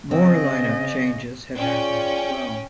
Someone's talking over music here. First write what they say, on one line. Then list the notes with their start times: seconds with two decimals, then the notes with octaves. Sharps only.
More lineup changes had happened as well.
0.11 C#3 C4 D#5
1.58 C#4 F4 G#4 D5 G5